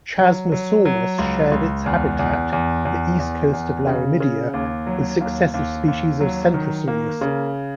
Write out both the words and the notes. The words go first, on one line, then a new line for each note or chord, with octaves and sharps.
"Chasmosaurus" shared its habitat, the east coast of Laramidia, with successive species of "Centrosaurus".
F#3
F#3
F#3
C#2
C#2
E2
E2
E2
E2
E2
E2
C#3
C#3
D#2
F#3
D#2
D#2
D#2
F#3
D#3
A#3
C#3